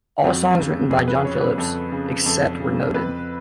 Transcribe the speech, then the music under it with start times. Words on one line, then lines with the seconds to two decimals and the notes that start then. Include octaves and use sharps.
All songs written by John Phillips, except where noted.
0.24 F2 F#4
0.57 C#3
0.90 F2 G#4
1.08 B4
1.24 C#3 C#5
1.41 B4
1.58 F2 A4
1.92 C#3
2.26 F2 A4
2.60 C#3
2.94 F2 B4